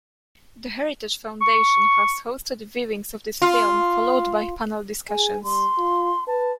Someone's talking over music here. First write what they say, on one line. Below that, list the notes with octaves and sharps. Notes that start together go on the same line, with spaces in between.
The Heritage Foundation has hosted viewings of this film, followed by panel discussions.
C#6
F4
G#4 G#5
G3 C6
F4
B4 A5